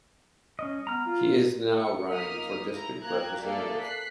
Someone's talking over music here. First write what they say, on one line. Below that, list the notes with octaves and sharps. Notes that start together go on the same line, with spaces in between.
He is now running for district representative.
C#4 D#5
B3 A#5 F6
F4
F4 C#7
A#3 D#4 D#6 F6 B6
E4 A#5
A#3 G5 A#5 F#6 G#6
A#3 G#4 A4 D5 E5 F5
F#6 B6 C7